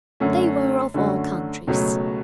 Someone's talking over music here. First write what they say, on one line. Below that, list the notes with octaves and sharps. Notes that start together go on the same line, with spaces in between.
They were of all countries.
F#2 D3 A3 C#4 F#4
F#2 D3 A3 C#4 F#4
C#2 B2 F#3 A3 C#4